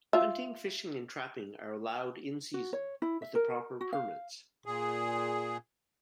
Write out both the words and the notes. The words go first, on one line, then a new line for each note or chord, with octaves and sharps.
Hunting, fishing and trapping are allowed in-season with the proper permits.
F4 E5
F#4
C#5
E4
E5
A#4
F#4
F5
A#2 G#4